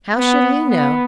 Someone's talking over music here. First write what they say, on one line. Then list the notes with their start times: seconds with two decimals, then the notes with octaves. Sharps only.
'How should he know?
0.17 B3
0.68 B3